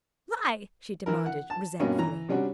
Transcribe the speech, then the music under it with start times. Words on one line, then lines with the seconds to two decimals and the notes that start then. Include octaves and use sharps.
"Why?" she demanded, resentfully.
1.06 E3 E4 A#4
1.26 F#5
1.50 A5
1.80 G2 B2 A#3 C#4
1.99 E3 A#5
2.29 C3 G3 C#4 D4 F#4